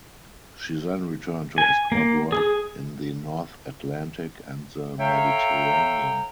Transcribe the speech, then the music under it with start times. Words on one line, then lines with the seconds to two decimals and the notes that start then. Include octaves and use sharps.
She then returned to escort work in the North Atlantic and the Mediterranean.
1.58 G#5
1.92 A#3
2.32 G#4
4.99 A4 C#5 E5 F5 G5 A#5